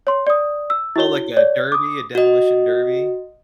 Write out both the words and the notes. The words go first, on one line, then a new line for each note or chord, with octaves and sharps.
Oh, like a derby a demolition derby?
C#5 C6
D5 D#6
E6
E4 F#4 C#5 G7
C#5 D5
D6 D#6
F#4 D#5